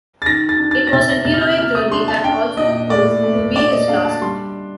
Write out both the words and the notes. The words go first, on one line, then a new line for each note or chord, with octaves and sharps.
It was an heroic journey that also proved to be his last.
A6
D#3 A#6
A6
D4
A6
A#6
C3 A6
A#6
C3 A6
F6
G6
A#3 F6
D#6
D4 C6
A5
D4 G5
A#2 D#5
A2 D5
A3
A#2 D5
D#5
D4 F5
A5
G3 C6